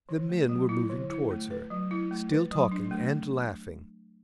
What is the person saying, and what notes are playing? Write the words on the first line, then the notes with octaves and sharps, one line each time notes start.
The men were moving towards her, still talking and laughing.
D3
A3
F#3
E4
D3
E4
A3
B4
F#3
E4
A3
B4
F#3
D4
A3